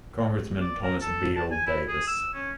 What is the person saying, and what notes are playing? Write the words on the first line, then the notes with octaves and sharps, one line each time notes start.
Congressman Thomas Beall Davis.
D5
A#4
A4
A5
G#5
E4
G#4
E6
C#4